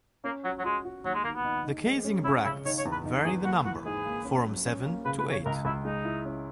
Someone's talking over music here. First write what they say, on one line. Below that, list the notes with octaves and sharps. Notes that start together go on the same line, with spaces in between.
The casing bracts vary the number, form seven to eight.
A#3 C#4
F#3 F#4
F#3
G#3 F#4
F#4
D#2 F#3
G#3
D#2 A#3
B3
D#3
D#3
G#3
C#4
C#4 E4
C#3 E4
D#3 C#5
C#5
E2
B4
D#3
E2 G#4
A#3 F#4
E3 F#4
G#2 G#4
A#3
C#4
F#3
C#4
A#3
C#3 B4
B4
C#3
C#5
C#2 A#4
C#2 E4
G#3 D#4
E4
C#4